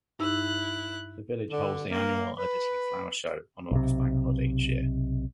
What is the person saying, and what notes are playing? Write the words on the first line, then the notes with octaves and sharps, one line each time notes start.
The village holds the annual Eardisley Flower Show on August Bank Holiday each year.
G2 D#4 E4 E6 F#6
D3
A#3
B4
B1 C3